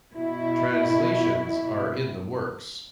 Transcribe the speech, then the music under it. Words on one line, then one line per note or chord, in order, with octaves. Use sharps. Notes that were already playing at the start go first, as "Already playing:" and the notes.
Translations are in the works.
B2 E4